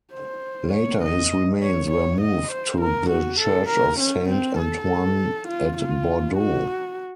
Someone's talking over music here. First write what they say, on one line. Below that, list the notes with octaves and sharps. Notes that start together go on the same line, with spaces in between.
Later his remains were moved to the church of Saint Antoine at Bordeaux.
C5
C#5
D#5
C#5
C#5
D#5
C5
A#4
F#4
A4
A#4
C#4
C4
A4
F4
F4
F#4